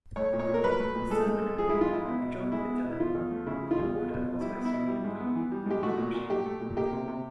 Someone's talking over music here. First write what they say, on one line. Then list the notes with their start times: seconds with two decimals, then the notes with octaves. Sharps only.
The son and heir of John Fitzalan, Lord of Oswestry and Clun, from Shropshire.
0.16 A3 C#5
0.33 A#2
0.39 C#5
0.48 A#2
0.54 A#4
0.63 F#3 B4
0.80 A3
0.95 A#2
1.10 G#3 A4
1.26 G#2
1.42 G#2
1.58 F3 G#4
1.69 G#3 E4
1.81 F4
1.90 G#2 E4
2.05 B3 E4
2.21 B2
2.37 B2
2.52 G#3 E4
2.68 B3
2.83 B2
2.91 E4
2.99 F3 F4
3.15 E2
3.31 A3
3.46 C#3 E4
3.62 F3
3.71 F4
3.78 E2
3.94 B3
4.10 B2
4.26 B2
4.40 G3 E4
4.56 B3
4.65 E4
4.73 B2
4.88 G3
5.04 G#2
5.20 B3
5.35 E3
5.52 G3
5.66 G#2 G4
5.83 A3 F#4
5.97 A#2
6.14 A#2
6.30 F#3 G4
6.46 A3
6.60 A#2
6.76 A#3 G4
6.92 C3
7.08 C3